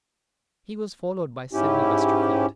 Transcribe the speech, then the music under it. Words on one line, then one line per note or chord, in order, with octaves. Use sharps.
He was followed by Sydney Westerfield.
G#2 C#4 E4 G4